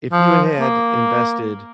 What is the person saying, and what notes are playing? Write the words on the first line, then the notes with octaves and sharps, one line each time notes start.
if you had had invested
F3
A#3